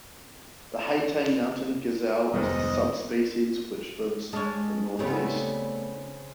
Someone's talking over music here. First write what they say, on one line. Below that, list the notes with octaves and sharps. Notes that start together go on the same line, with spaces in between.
The Hatay mountain gazelle is the subspecies which lives the northeast.
F1 D2 G#2 D#3 G3 B3 C5 D#5
G#3 D4 C#5 A5 F6
C#3 G3 A3 B3 C4